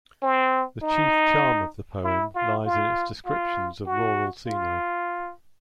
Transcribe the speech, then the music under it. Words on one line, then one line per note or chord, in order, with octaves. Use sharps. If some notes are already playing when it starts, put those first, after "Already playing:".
The chief charm of the poem lies in its descriptions of rural scenery.
C4
D#4
E4
F4
F4
F4
F#4
F4